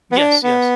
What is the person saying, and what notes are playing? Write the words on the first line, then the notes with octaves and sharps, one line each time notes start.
Yes. Yes.
B3
D4
B3